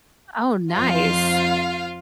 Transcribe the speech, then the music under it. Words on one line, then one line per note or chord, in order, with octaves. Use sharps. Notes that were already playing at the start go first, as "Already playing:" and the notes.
Oh, nice.
F2 F4 C5 F5